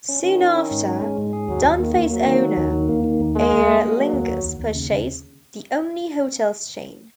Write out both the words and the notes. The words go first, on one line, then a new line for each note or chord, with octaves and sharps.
Soon after, Dunfey's owner, Aer Lingus, purchased the Omni Hotels chain.
C#4
D#3 C#4
C#4
C#4
G#2
C#4
G#3
G#2
G#4
D#2 F#3
D#2
D#3 A#3
A#3
F#3 A#3
D#3
D#3
D#2
D#3
A#3
D#3
D#2
G#3 A#3
A#3
A#3
A#3
F#3 A#3
D#2
D#2
D#2
D#2
C#3
C#3